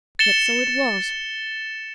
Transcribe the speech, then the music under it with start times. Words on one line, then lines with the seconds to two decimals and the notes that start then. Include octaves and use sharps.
Yet so it was.
0.19 A6 C#7 E7 G7